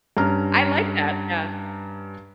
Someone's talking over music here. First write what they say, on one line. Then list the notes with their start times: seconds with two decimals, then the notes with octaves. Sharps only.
I like that, yeah.
0.17 G2 C#4 A#5 F6